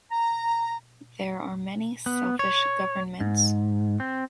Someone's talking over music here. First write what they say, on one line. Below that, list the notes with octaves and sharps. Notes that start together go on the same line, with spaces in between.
There are many selfish governments.
A#5
B3
C#5
G#2
C4